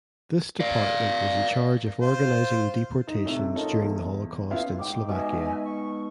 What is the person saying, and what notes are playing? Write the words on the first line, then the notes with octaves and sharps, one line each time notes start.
This department was in charge of organizing the deportations during the Holocaust in Slovakia.
D5 F5
F4 C5
D#4
A2 C3
C#4 D#4 F4 A4 A#4 D#5
E2
B3 C#4 E4 F4 F5
G#2 G5 D6
B2 D#5 E5 G#5
C#6